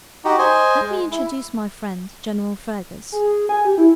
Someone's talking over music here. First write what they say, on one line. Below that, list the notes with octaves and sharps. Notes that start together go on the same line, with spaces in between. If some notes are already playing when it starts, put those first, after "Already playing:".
Let me introduce my friend, General Fergus.
D#4 F#4 G4
C5 D#5 G#5
G#3
E4
G#4
G#5
G4
E4